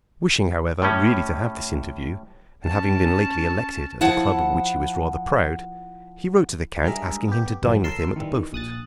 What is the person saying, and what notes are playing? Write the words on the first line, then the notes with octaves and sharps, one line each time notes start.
Wishing, however, really to have this interview, and having been lately elected at a club of which he was rather proud, he wrote to the count asking him to dine with him at the Beaufort.
A2 G3 C#4
C#4 A5
F3 E4 F#5 A5
G3 G#3 D4 G#4 A#4 E5
B3 G4
G1 E3 F#3
A4 A#4 C6 E6
D#3 E3 G3
A#1 D#6 F#6 A6